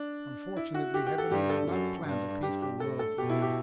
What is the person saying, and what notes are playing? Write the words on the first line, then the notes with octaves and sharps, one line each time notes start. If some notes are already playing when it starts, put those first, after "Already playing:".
Unfortunately Heaven had not planned a peaceful world for him.
Already playing: D4
E4
F#4
G4
G4
A4
G2 G4
A4
F#2
G2
G2 G4
G4
A2 A4
A4
B2 G4
E4
G4